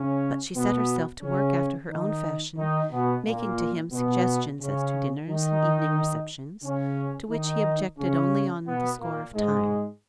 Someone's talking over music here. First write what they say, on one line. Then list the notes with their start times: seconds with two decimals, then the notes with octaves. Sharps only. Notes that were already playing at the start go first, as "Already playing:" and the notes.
But she set herself to work after her own fashion, making to him suggestions as to dinners and evening receptions, to which he objected only on the score of time.
Already playing: C#3 C#4
0.55 B2 B3
1.22 C#3 C#4
1.90 D#3 D#4
2.57 D#3 D#4
2.91 B2 B3
3.25 A#2 A#3
3.92 B2 B3
4.60 C#3 C#4
5.28 D#3 D#4
6.63 C#3 C#4
7.31 D#3 D#4
7.98 C#3 C#4
8.66 B2 B3
8.99 A#2 A#3
9.34 G#2 G#3